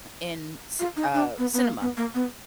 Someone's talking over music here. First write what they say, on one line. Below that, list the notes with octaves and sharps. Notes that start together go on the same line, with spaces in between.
in ci uh, cinema,
F4
D#4
D4
B3
B3
A#3
B3
A#3
B3